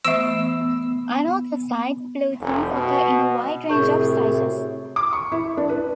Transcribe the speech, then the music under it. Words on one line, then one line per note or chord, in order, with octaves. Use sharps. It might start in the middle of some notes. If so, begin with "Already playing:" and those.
Anorthosite plutons occur in a wide range of sizes.
E3 A3 B3 E6 E7
F1
B2
F#2 A2 C3 G#4 C#6 G6
D6
C#6
E4
D4
B4